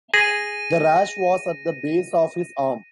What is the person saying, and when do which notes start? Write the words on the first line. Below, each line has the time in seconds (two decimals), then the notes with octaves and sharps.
The rash was at the base of his arm.
0.14 G#4 A#6 D#7